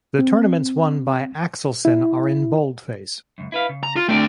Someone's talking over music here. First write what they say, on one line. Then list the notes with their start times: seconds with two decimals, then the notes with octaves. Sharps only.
The tournaments won by Axelsen are in boldface.
0.19 C4
1.85 E4
3.38 C#2 F#2
3.52 E4 B4 F5
3.69 C#3
3.83 A#5
3.96 F4
4.09 D3 A3 C4 D5 G5